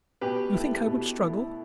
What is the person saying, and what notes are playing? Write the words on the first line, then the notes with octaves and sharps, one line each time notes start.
You think I would struggle?
B2 G4 B4
A3 E4
B2
A3 E4